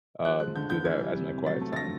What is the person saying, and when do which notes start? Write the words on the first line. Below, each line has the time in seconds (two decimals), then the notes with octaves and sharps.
um, do that as my quiet time,
0.25 F3 F#6
0.40 G#3 F#6
0.56 D3 G6
0.70 B3 G6
0.85 E3 G#6
1.01 G3
1.16 C3
1.31 C3
1.46 F#3 A6
1.61 A3
1.73 A6
1.76 D3 A#6